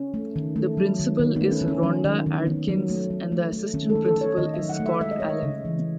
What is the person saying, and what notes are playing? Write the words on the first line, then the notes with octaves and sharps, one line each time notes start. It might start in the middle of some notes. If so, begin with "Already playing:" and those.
The Principal is Ronda Adkins and the Assistant Principal is Scott Allen.
Already playing: C#4
A3
D#3
A3
F#3
D#3
D#3 B3
B3
A3
C#4
D#3
C#4
F#3 C#4
D#3
D#3
D#3 B3
F#3
A3
F#3
A3
A3
D#3 C#4
A4
A3
A4
A3 C#5
D#3 D#5
E5
F#3
F#5
A3
E5
G#3 E5
D#5
G#3 C#5
D#5
C#3
E3